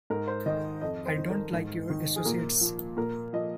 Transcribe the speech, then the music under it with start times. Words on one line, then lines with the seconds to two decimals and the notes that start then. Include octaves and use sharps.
I don't like your associates.
0.10 G#2 A#4
0.28 C5
0.46 D#3 D#5
0.81 F2 D#5
1.06 C5
1.18 D#3
1.30 A#4
1.53 G#2
1.90 D#3
2.16 G#4
2.25 A#2 A#4
2.61 F3
2.97 A#2 A#4
3.33 F3 D#5